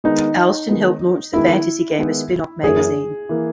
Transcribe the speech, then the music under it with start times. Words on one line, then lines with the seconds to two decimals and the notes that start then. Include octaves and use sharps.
Allston helped launch the "Fantasy Gamer" spinoff magazine.
0.04 D#3 G#3 B3 D#4
0.69 D#3 G#3 B3
1.33 D#3 G#3 B3 E4
1.99 D#3 G#3 B3
2.63 F#2 E3 A#3 G#4
3.29 E3 A#3